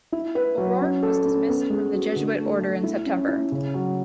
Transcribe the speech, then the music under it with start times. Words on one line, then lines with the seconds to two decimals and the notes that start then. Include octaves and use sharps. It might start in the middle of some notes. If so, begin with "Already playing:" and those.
O'Rourke was dismissed from the Jesuit Order in September.
0.12 E4
0.35 B4
0.58 F#3
0.81 C#4
1.03 A4
1.25 C#4
1.48 B3
1.70 G#3
1.93 F#4
2.16 D3
2.38 A3
2.61 A3
2.83 E4
3.06 C#4
3.28 E4
3.52 C#3
3.74 F#3